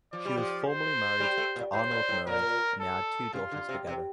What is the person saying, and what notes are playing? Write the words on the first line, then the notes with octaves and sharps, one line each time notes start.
She was formerly married to Arnold Moen and they had two daughters together.
F3 D5
G3
F3
C5
G3
A3
A#2
A2 C5
A#2
A2
A#2 A#4
A4
C3 F4
D3
C3
C3